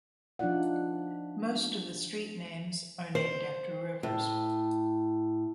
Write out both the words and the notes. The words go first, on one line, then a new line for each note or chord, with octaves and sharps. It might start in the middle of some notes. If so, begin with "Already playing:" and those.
Most of the street names are named after rivers.
F3 D4 D#4 F4 D5 F#5
C5
A2